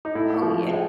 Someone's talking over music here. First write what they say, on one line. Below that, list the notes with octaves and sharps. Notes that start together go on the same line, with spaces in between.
Oh, yeah.
D#4
A2 E4
F3
G#3